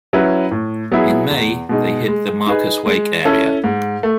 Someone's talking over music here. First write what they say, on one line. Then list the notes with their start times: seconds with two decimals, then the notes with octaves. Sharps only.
In May they hit the Marcus-Wake area.
0.13 F#3 C#4 E4 B4
0.51 A2
0.92 F#3 B3 E4 G#4
1.30 E2
1.69 B2 G#3 D#4
2.08 G#3
2.47 D#4 G#4 B4
2.86 G#3
3.25 C#4 E4 A4
3.64 G#2
4.03 A3